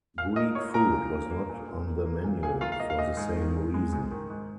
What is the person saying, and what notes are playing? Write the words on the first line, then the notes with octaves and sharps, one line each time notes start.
Greek food was not on the menu for the same reason.
A#2 F5 F6
A#3 D#5 D#6
A#3 C#5 C#6
A#2 A#4 A#5
A#2
A#3
A#3
A#2
A#2
A#3
A#3
A#2
A#2 G#4 G#5
A#3 F4 F5
F5
A#3 D#5
F5
A#2 D#5
G#2
D#3
G#2
G#3
G#2
D#3
G#2